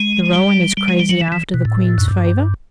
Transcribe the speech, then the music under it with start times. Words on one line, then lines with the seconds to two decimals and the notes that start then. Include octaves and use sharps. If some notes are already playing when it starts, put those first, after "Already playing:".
De Rohan is crazy after the Queen's favor.
Already playing: G#3
0.33 G3
0.77 G3
0.88 G#3
1.00 G3
1.09 F#3
1.21 E3
1.32 E3
1.54 B2
1.65 A2
1.98 F#2
2.08 G2